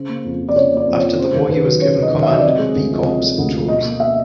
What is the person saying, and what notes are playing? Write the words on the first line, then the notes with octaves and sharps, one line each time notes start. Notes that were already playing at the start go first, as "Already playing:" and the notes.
After the war he was given command of V Corps in Tours.
Already playing: C#3 C5
A#3
F2
F3
D5
C#3 C#5
A#3 D5
F2
C#5
F3
C#3 C5
D#2
D#2 B4
F#3
C#3 C#5
D#2
D#5
D#2
E5
F#3 D#5
D5
C3 D#5
G#3
D2
F3
C3
G#3
D2
F3
B2 D#5
A#3
E5